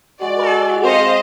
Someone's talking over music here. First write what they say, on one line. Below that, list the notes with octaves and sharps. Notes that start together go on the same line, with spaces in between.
Well, you
G#3 F#4 D5
C4 C5 D#5 F5 C6 C#6